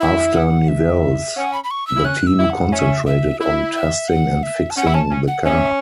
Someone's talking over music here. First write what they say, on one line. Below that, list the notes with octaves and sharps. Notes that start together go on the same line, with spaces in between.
After Nivelles, the team concentrated on testing and fixing the car.
E4 E5
F#5
E5
C#4 F#5
B5
B5
C#6
E6
E4
C#4 F#6
E6
E4
F#5
C#4 E5
E5
E4 E5
E5
F#5
E5
A5
C#4 F#5
E4
C#4 A5
C#4
F#5
C#4 E5